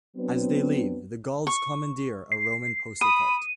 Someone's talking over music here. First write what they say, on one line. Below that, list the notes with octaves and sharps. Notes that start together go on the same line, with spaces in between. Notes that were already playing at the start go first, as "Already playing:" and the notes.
As they leave, the Gauls commandeer a Roman postal cart.
F#3 B3 C4 D4
C#6
C7
B5 D#6 D#7